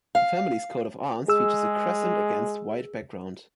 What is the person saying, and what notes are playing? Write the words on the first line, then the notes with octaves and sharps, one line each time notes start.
The family’s coat of arms features a crescent against white background.
F5
G#3 G#4 E6